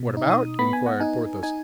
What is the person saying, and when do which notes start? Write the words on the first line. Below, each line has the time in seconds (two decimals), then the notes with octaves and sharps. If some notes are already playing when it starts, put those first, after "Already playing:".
"What about?" inquired Porthos.
Already playing: B2
0.17 D#4
0.30 D#6
0.59 B3 B5
0.73 G#5
0.86 F#5
1.00 D#4 G#5
1.43 D#4 G#5